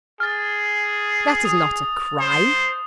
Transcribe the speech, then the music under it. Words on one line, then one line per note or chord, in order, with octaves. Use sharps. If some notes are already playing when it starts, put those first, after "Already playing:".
That is not a crime.
G#4 F6 A6
D#6
C5